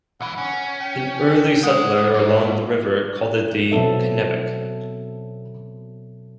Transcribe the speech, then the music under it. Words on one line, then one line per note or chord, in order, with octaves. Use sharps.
An early settler along the river called it the Kenebec.
B1 E3 F#5
C#4
G5
G#3 F#5
G#2 F#3
B2 F#3 C4 A4 E5